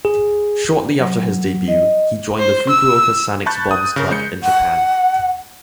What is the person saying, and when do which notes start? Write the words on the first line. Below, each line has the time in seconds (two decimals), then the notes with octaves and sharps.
Shortly after his debut, he joined the Fukuoka Sanix Bombs club in Japan.
0.05 G#4
0.99 F#3
1.68 D#5
2.39 C5
2.70 E6
3.46 A5 B5 C#6 F#6 G6 A6
3.71 D#6
3.96 C#3 A#4
4.11 G#3 G6 C#7
4.43 F#5